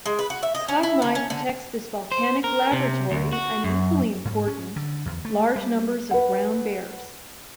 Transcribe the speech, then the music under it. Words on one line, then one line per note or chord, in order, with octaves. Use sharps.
Katmai protects this volcanic "laboratory" and, equally important, large numbers of brown bears.
G#3
B4
F#4
E5
D#5
C#4
E4
D3
C#4
D3
C5
A#4
C3
D2
F#4
F#2
G#2
C#4
D3
E2
A3
G3
B4 F#5